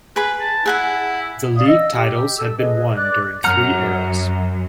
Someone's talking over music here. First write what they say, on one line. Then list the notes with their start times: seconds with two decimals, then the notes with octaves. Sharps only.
The league titles have been won during three eras.
0.16 G#4 B4 B5
0.40 A5
0.66 E4 G#4 F#5 G#5
1.55 D5 F5 D#6
1.67 D#5 E6
1.93 G4
2.38 A4 E6
2.57 G#4 A4 B4 D#5
2.95 D5 D6 F#6
3.44 F#2 F#5 A#5 F6